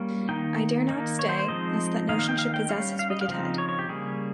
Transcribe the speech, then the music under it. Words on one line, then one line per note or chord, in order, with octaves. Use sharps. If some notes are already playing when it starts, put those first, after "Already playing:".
I dare not stay, lest that notion should possess his wicked head!
Already playing: G3 A#3 C#4
D#3 A#3 D#4 G5
D#3 A#3 D#4
C#5
C5
C5
F3 G#3 C4 D#4 D#5
D#3 A#3 D#4 F5
F5
G5
F5
G5
G3 C#4 F5
F5
D#5
F5
C#3 F3 C4 D#4
C#5
C#5
G4
C#3 G3 A#3 G#4